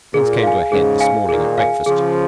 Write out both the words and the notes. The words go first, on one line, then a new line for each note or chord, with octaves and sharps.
Things came to a head this morning at breakfast.
A#2 G#4
F5 G#5
G#2 C#3 G#4
F5 G#5
A#2 D#3 G#4
F5 G#5
C#3 F3 G#4